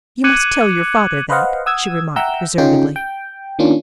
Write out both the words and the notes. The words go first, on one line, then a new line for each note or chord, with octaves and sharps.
"You must tell your father that," she remarked reservedly.
D6 F#6 G#6 C#7 D#7 F#7
B4 C5 D#5 F5 F#5
F#5 D#6 E6 G#6
E5 F#5 G5 A#5 E6 G6
C#3 C#4 D#4 F4 G#4 G5
G5
D#3 A#3 C#4 D4 F4